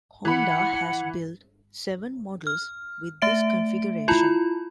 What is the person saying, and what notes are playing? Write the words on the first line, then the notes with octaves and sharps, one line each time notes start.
Honda has built seven models with this configuration.
E3 F#5 B5
F6
A3 E5 D7
E4 F4 B5